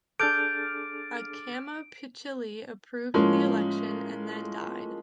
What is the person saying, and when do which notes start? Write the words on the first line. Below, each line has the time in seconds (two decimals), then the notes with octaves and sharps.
Acamapichtili approved the election, and then died.
0.20 D4 G#4 A4 D6 F6 G6 A6 D7
3.14 A2 F3 G#3 A#3 C#4